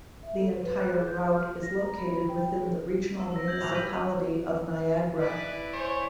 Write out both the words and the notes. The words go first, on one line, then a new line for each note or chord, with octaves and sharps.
The entire route is located within the Regional Municipality of Niagara.
E5
A4
B4
F#6
G#4
G6
F6
A#6
A#5
B5
G5
G#4
E6
E6 A#6
G6 G#6 F#7
A2 D#3 E3 F7 F#7
G3 B4
E4 G#4 B4 D5 B6
C5 C#5 G#5